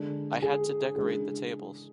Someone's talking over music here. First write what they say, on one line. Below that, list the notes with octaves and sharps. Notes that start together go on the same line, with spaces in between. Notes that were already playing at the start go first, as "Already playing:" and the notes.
I had to decorate the tables.
Already playing: D3 G#3 D4
G#4
C#3 E3 G#3 D4 G#4